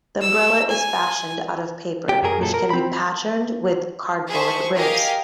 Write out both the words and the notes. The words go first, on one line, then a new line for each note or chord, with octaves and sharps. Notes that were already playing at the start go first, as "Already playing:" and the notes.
The umbrella is fashioned out of paper, which can be patterned, with cardboard ribs.
E6
G#5
G4
F#2 F#3 G#4 A#4
F#2 A#2 A4
A#4
C4 B5
G#4 C5 E5 G#5 A5 C#6
G4 G#4 A#4 D#5 F5